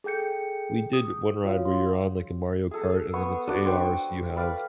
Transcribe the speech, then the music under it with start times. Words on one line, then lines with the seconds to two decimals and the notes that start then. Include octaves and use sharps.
we did one ride where you're on, like, a Mario Kart and then it's AR, so you have,
0.04 G#4 A4 G5 G6 C#7
0.93 D#6
1.44 F4 F#4 C#5 F5
1.65 C6
2.71 G#4 A4
3.13 B3 C#6
3.47 D4 F#4
3.65 C5 G5 C#6
4.36 B4 D5 F5